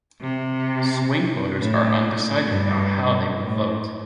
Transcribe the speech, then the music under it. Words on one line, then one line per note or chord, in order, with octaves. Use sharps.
Swing voters are undecided about how they will vote.
C3
A2
G2
A2